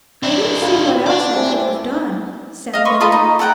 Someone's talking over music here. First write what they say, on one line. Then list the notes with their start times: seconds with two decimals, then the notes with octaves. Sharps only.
"I don't see what else I could have done," said Milly.
0.23 D4 E4
0.62 F4 B5 G#6
1.06 D5 A5
1.36 C4 E4 G#5
2.73 D#5 F5
2.85 B4 C6 C#6
3.01 F4 A4 D#5 B5
3.12 D#4
3.39 A4 A#4 F#5 G5